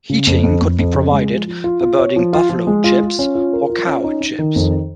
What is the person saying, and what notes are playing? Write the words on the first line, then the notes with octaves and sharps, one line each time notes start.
Heating could be provided by burning buffalo chips or cow chips.
C#3
F2
F2
F2
F2
C#3
G#3
F3
F3
F4
F4
C#5
F3
F4
F3
G#3
F4
F4
C#4
F4
A#4
F4
C#4
D#4
D#4
D#3
F2